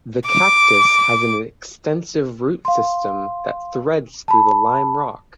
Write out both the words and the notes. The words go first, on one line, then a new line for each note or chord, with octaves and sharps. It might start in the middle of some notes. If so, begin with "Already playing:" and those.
The cactus has an extensive root system that threads through the lime rock.
D6
F5 C6
A5 B5